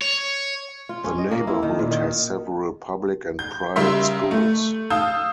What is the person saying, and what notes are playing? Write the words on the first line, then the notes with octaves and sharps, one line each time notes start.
The neighborhood has several public and private schools.
C#5
F4
C#4
D#5
A#3
E4
D#3
A#2
D#3
G6
C#3 G3 A#4 E5 C6 B6
A3
F5 A5 D#6 E6 G6